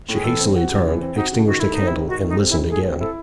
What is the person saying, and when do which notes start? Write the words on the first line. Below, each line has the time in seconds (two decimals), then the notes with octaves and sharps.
She hastily turned, extinguished the candle, and listened again.
0.09 A2 G#4
0.24 E3 A4
0.39 C4
0.55 F#4
0.70 C#3
0.86 E3
1.01 C4
1.16 D#4 F#4
1.32 C#3
1.47 D#3 F#4
1.60 A3 E4
1.74 C4 D#4
1.87 E4
1.92 G#2
2.08 D#3 F#4
2.24 A3 D#4
2.39 C4
2.49 E4
2.54 G#2
2.70 A3 G#4
2.85 C4
3.00 E4 A4